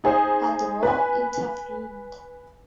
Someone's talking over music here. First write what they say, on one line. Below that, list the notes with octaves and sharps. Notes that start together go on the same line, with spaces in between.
But war intervened.
D#4 G#4 C5
B4 G#5